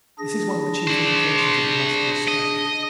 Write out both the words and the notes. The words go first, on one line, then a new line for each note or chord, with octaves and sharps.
This is one of the chief indications of the Muscular's strength.
D4 G#4 A#6
C5 D5
D#5